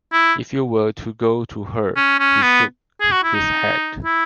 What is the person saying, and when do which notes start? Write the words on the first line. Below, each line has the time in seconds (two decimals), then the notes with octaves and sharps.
"If you were to go to her;" He shook his head.
0.13 E4
1.96 C#4
2.19 C#4
2.42 B3
3.01 G#4
3.12 F#4
3.23 E4
3.34 D#4
4.05 E4